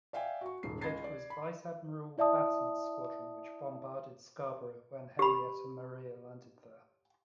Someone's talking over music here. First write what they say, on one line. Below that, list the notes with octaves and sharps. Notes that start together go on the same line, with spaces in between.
It was Vice-Admiral Batten's squadron which bombarded Scarborough when Henrietta Maria landed there.
D5 E5 F5 G5 G#5
F#4 C#6
D#1 G#2 C#3 C7
C#2 D#5 B5 G#6 A6 C7
D5
B5
E4 D5 E5 A5 D#6
G4 B5